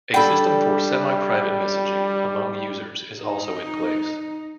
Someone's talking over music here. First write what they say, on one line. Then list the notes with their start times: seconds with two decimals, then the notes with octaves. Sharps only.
A system for semi-private messaging among users is also in place.
0.14 G3 D4 A4 G5 B5
3.19 D#4